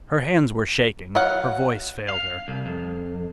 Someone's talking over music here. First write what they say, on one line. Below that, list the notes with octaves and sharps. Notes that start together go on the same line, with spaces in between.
Her hands were shaking, her voice failed her.
F#3 F5 F#5
F5
C2
F2